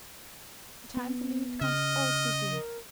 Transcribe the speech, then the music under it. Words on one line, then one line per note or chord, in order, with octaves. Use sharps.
The time to leave comes all too soon.
B3
C#3 D#5 F6
A#4